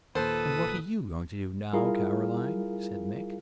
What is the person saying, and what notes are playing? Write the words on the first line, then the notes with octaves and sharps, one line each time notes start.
"And what are you going to do now, Caroline?" said Mick.
D#2 A#2 A4 B4 C5 D#6
G3 E4 F4 G#4 A#4 F5